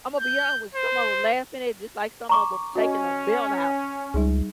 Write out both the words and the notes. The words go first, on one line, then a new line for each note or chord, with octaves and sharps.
Imma be honest with some of 'em laughing at it just like some of 'em taking a belt out.
G6
C5
A#5 C#6 D6
C#4 F#4 D#5
C#2 G3 D#4 G#4